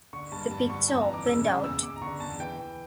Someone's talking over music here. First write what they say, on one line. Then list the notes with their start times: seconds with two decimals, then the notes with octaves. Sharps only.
The picture opened out.
0.13 D3 C#6
0.32 G2 A5
0.51 G2 A5
0.70 D3 C#6
0.88 F2 A5
1.01 A#5
1.08 E3
1.14 D6
1.26 C#3 E6
1.45 C#3
1.64 E2 E6
1.83 E2 D6
1.96 A#5
2.01 D3 C#6
2.20 E2 A5
2.39 E3 G5
2.58 E3